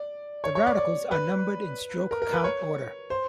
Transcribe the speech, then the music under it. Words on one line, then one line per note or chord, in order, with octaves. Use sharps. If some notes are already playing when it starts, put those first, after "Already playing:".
The radicals are numbered in stroke count order.
Already playing: D5
C#5
C#5
D5
D5
B4
A#4
A#4
B4
C#5
C5